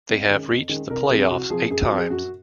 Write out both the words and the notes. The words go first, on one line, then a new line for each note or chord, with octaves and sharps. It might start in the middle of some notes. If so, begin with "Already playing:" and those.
They have reached the playoffs eight times.
F2
D#3 G#3 C#4
F2
D#3 G#3 C#4
C2 A#4
C3 F3 C4 G#4
C2 F#4
C3 F3 C4 G#4
F#2 G#4
F#4
F3 C4
G#4
F#2 F#4